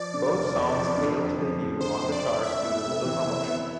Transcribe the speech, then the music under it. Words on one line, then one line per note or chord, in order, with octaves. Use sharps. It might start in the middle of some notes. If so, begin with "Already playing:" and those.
Both songs failed to debut on the charts due to little promotion.
Already playing: F3 D5
D3
F1
E2
F3
D3
F2
F3
F2
D3 C5
F2
D5
F3
E4 E5
B3
C3
E3
E4
B3